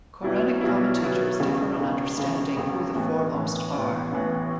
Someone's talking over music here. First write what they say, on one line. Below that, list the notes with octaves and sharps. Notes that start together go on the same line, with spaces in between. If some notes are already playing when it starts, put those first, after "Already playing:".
Quranic commentators differ on understanding who the foremost are.
B1 B2 F#3 B3 E4
B1 B2 F#3 B3 E4
B1 B2 F#3 B3 E4
E1 E2 C#3
E1 E2 C#3
E1 E2 C#3
E1 E2 C#3
A1 A2 E3 B3
A1 A2 E3 B3
A1 A2 E3 B3
A1 A2 E3 B3